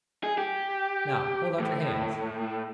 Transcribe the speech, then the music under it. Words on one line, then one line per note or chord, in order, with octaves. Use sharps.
"Now hold out your hands."
G#4
G4
A2